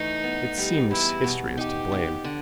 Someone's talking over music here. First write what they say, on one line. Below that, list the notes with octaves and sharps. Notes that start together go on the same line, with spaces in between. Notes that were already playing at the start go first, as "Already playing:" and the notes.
It seems history is to blame.
Already playing: E3 A3 D#4
B3
G3
E2 E4
B2
D#4 G4
B3
D3